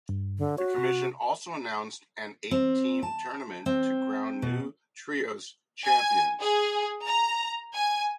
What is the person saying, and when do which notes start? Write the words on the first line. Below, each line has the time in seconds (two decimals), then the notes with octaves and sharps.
The Commission also announced an eight team tournament to crown new trios champions.
0.09 G2
0.38 D3
0.58 F#4 C#5
0.78 C3
2.51 C4
3.03 A5
3.66 C4
4.42 B2
5.85 G#5
6.42 G#4
7.06 A#5
7.74 G#5